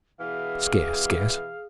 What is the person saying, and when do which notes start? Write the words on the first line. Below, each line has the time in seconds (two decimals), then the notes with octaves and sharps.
Scarce, scarce!'
0.20 B2 E3 G#4 F5